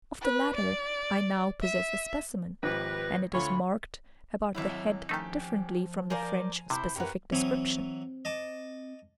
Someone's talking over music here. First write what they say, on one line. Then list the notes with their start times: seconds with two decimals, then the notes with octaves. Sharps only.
Of the latter I now possess a specimen, and it is marked about the head differently from the French specific description.
0.21 B4
0.56 D5
1.62 E5
2.63 G#1 F3 G4 B4 A#6
3.34 D2 F4 A4 C#5 B5
4.55 G#1 F#3 E4 E5 F5 B5
5.09 D#3 F3 A3 C#4 D#4 G4
6.10 A#4 C5 D5 F5 G#5 A#5
6.70 C3 E4 C5
6.96 F#2 G4 A#4 B4 C#5 F#5
7.32 E3 F#3 C4 D#6
8.25 D#5 A5 D6